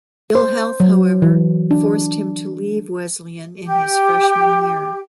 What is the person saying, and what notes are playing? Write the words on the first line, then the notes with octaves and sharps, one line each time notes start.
Ill health, however, forced him to leave Wesleyan in his freshman year.
C5
F#3
E3
D4
G4